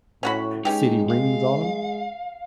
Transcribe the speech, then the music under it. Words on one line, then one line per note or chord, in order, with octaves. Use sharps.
See any rings on him?
A2 C#4 F#4 B5
G#3 C#4 D#4 G4
F5